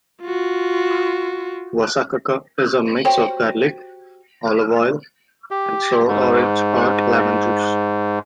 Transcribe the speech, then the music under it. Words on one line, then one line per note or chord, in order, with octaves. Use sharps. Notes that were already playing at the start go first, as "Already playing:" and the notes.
Wasakaka is a mix of garlic, olive oil, and sour orange or lemon juice.
F4 F#4
F#4 G4 C5 C#5
G4
G#2